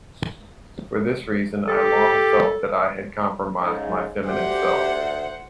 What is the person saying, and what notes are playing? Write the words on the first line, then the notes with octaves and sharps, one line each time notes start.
For this reason I long felt that I had compromised my feminine self.
G4 A4
G#2 C#3
D2 G4 C5 F#5